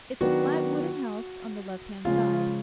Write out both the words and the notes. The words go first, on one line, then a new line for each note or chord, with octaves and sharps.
'It's a flat wooden house, on the left-hand side.
D#3 F#3 B3 D4 F#4
C#3 F3 G#3 C#4 F4